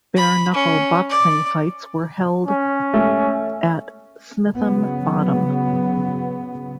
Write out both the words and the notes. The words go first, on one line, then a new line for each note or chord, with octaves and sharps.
Bare-knuckle boxing fights were held at Smitham Bottom.
B5
C#4
D5
C#4
A3
C#3 F#3 B3